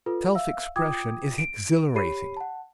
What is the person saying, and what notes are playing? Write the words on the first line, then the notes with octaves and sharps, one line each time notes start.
Self-expression is exhilarating.
F4 A4 B4
E5 F5 E6
F4 G5 D6 D#6 G#6
D7
G4 C#5 B5 C7 D#7
F#5 A5